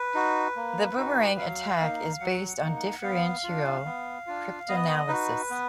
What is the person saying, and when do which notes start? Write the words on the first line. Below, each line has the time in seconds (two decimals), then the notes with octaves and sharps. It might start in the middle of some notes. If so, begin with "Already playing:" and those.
The boomerang attack is based on differential cryptanalysis.
Already playing: B4
0.15 D#4 F#4
0.56 A#3
0.97 D#4 F#4
1.38 F#3 F5
1.80 A#3 D#4
2.20 F#3 F#5
2.48 F#5
2.62 A#3 D#4
2.76 F#5
3.02 B3 F5
3.44 D4 F4
3.85 B3
4.27 D4 F4
4.68 B3 D#5
5.08 D#4 F#4 B4
5.50 B3